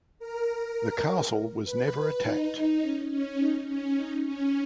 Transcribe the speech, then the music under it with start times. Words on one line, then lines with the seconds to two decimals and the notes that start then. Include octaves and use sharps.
The castle was never attacked.
0.19 A#4
0.49 A#4
1.65 B4
2.23 D#4
2.81 C#4
3.10 C#4
3.39 D#4
3.68 C#4
3.97 D#4
4.26 C#4